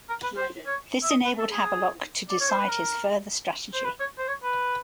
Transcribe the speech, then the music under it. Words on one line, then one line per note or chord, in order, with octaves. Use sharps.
This enabled Havelock to decide his further strategy.
A#4
B4
C5
C#5
E5
D#5
B4
A4
G#4
D5
C#5
C5
B4
A#4
C5
B4
C#5
C5
C#5
B4